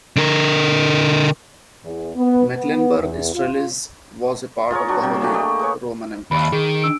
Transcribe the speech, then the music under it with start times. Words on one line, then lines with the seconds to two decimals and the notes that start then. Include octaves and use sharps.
Mecklenburg-Strelitz was a part of the Holy Roman Empire.
0.16 D3 A#4
1.84 E2
2.16 B3
2.55 B3
2.98 E2
3.33 F4
4.71 F4 G#4 A#4 C#5
4.88 F#3 D4 F#4
5.02 C3 F#3
5.21 A3 A#3 D4 G4
5.34 G4 D#5 C#6
5.59 G#4 B4 C#5
6.31 D#2 B5
6.52 D#3 G#4
6.82 D4 E6 D7